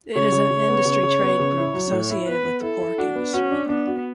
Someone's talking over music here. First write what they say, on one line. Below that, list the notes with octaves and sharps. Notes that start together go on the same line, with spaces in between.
It is an industry trade group associated with the pork industry.
C#3 C#5
C#3
C#3
B3
C#3
C#3
B3
C#3
E4
F#3
A2
E4
B3 B4
B3
E4 A4
E4
D4 F#4
B3
C#4 F#4
D4
B3 D4
F#4